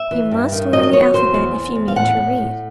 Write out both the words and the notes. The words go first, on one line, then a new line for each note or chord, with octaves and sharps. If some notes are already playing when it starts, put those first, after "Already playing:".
You must learn the alphabet if you mean to read.
Already playing: E5
E3
G2
D#3
F#3 D#5
D#5
F#3 C#5
E2 C5
E2
E2
E2
F5
A2 F#5
A2
A2